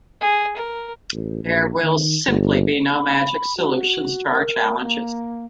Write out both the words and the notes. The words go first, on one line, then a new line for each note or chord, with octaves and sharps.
There will simply be no magic solutions to our challenges.
G#4
A#4
A1
A#1
D#3
G1
B5
F#4
A#4
A#3